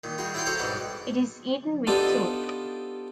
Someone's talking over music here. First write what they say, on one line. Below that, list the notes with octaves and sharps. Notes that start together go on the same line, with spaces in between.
It is eaten with soup.
A#2 D#3
G3 F4 F#4 G#4
E4 C#5 D5 F#5 G5 C6
F#4 A4 C5 C#5 A#5 D6
G#2 B2 G3 D4 F#5
B3 D4 D#4 F4 G4 A4